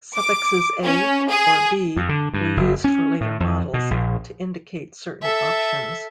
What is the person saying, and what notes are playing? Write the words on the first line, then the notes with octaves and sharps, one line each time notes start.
Suffixes "A" or "B" were used for later models, to indicate certain options.
D6
C#4
G#4
F2
D3
G2
F#1
C#4
A2
F2
B2
A#1
A4 E5